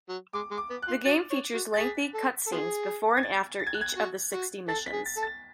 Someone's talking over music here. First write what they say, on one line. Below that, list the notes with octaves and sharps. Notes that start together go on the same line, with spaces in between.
The game features lengthy cutscenes before and after each of the sixty missions.
F#3
G#3 D6
G#3
D6
B3
F#6
F4
F#4 A6
C#5
F#4
A6
G#4 B6
A4
A4
B3 F4 G#4
G#6
A6
A6
G#6
F#6
G#6
F#4
F#4
A4 A6
B6
G#4
A6
A4
A6